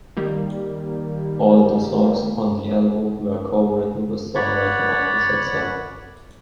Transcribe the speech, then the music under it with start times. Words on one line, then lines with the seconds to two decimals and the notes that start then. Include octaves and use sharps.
All the songs on the album were co-written with songwriter Michael Saxell.
0.17 D#3 G3 A#3
4.35 C#5 D5 F#5 B5